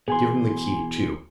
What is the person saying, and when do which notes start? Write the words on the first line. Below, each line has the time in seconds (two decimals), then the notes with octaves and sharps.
Give him the key too.
0.08 B2 E3 G#4 G#5 C6